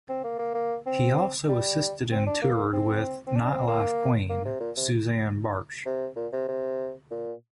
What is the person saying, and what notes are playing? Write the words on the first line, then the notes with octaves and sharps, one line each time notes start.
He also assisted and toured with the "Nightlife Queen", Susanne Bartsch.
C4
A#3
A#3
A#3
C4
G3
C4
D4
A#3
C4
C4
D4
C4
A#3
A#3
C3
A#2
C3
C3
A#2
C3
C3
A#2